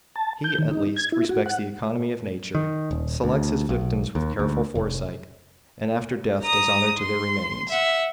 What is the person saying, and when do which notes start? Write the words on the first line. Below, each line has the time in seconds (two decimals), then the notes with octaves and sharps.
He, at least, respects the economy of nature, selects his victims with careful foresight, and after death does honour to their remains.
0.16 A5
0.44 G6
0.58 D#3
0.71 D#4
0.96 G#6
1.12 E4
1.29 F#4
1.46 F#5
2.55 D#3
2.91 D#1
3.24 D2
3.69 B1
4.15 D#2
4.39 D2
4.75 F1
6.43 A#5 D#6
6.99 C6
7.69 E5 F#5